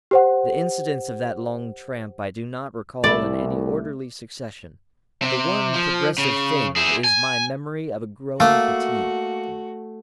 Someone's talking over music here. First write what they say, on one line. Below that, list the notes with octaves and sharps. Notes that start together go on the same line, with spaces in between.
The incidents of that long tramp I do not recall in any orderly succession, the one progressive thing is my memory of a growing fatigue.
G4 C5 F#5
C2 A3 E4 D5
C3
F3
C#3
E4 G#4
G#5
A3 A#3 F#4 F5